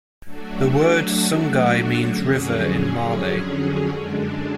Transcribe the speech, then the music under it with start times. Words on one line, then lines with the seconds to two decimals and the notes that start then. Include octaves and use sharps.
The word Sungai means river in Malay.
0.24 F#3 A3 D4 F#4
2.05 F2 D3 F#3 C#4 G#4
3.88 F#2 D3 G#3 D4